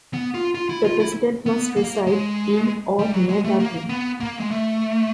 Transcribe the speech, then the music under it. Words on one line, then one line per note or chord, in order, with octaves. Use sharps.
The president must reside in or near Dublin.
B3
F4
F4
E4
F4
E4
B3
A#3
G#3
G3
F#3
G#3
A3
A#3
B3
A#3
G#3
A3